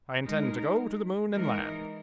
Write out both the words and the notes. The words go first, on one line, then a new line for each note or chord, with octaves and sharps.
I intend to go to the moon and land.
G#3 D#4 A#4
E3 G#3 D#4 A#4